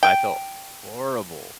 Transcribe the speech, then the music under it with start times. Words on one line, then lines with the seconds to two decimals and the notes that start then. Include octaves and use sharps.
I felt horrible.
0.03 G5